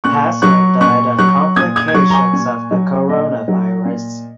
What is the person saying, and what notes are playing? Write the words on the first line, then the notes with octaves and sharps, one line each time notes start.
Passman died of complications of the coronavirus.
A#2 C#6 F#6
F#3 C#6 F#6
A#2 C#6 F#6
F#3 C#6 F#6
A#2 D#6 G#6
D#6 G#6
G#6
F#3 C#6 F#6
A#5
G#5 C#6
A#2
F#3
A#2 D#5
F#3
A#2